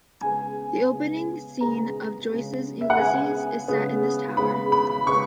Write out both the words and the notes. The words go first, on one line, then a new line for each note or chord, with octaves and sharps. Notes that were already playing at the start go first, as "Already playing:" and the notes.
The opening scene of Joyce's "Ulysses" is set in this tower.
C#3 G#3 B3 G#5
C#3 G#3 B3
C#3 G#3 B3 A#5
C#3 G#3 B3
E5
F#5
C#3 G#3 B3 G#5
C#3 G#3 B3
C#3 G#3 B3 B5
B5
C#3 G#3 B3 C#6